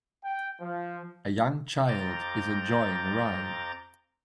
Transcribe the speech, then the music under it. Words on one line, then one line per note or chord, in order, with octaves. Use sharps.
A young child is enjoying a ride.
G5
F3
F2 A#5 D6 G6 A6